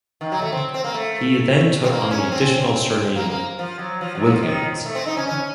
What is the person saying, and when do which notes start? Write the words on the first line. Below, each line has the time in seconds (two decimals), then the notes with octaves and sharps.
He then took on the additional surname Williams.
0.21 D#3
0.32 F#3
0.42 A3
0.52 C4
0.74 C4
0.84 A#3
0.94 A3
1.84 C4
1.90 A#3
2.11 C#4
2.32 C4
3.16 A#3
3.30 A#3
3.59 F3
3.79 F#3
4.01 F3
4.15 F#3
4.28 F3
4.43 D#3
4.86 A3
4.95 C4
5.06 D#4
5.17 C#4
5.27 C#4